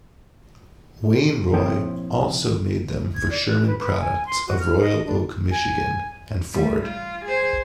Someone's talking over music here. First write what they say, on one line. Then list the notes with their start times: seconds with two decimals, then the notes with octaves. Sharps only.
Wain-Roy also made them for Sherman Products of Royal Oak, Michigan, and Ford.
1.53 A#2 F3 C4 E4 C#5 G5
3.15 G#6
3.30 D5
3.49 F#6
3.66 B4
3.80 B4
4.01 G#5
4.26 C6
4.47 F#4
4.60 F6
4.81 D#5
5.06 D4
5.51 G#5
6.53 G3 A3
6.82 F4
7.25 G#4 C5